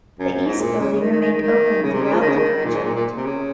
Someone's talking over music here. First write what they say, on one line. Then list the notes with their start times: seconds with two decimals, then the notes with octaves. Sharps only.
The East Building remained open throughout the project.
0.19 F#2
0.33 F#2
0.46 G#2
0.60 A#2
0.80 C#3
0.93 C#3
1.00 D#3
1.11 D#3
1.21 D#3
1.31 D#3
1.42 D#3
1.83 C#3
1.93 C3
2.02 C#3
2.13 F3
2.20 D#3
2.28 C#3
2.37 D#3
2.65 A#2
2.74 G#2
2.84 A#2
2.95 A#2
3.17 C3
3.25 C#3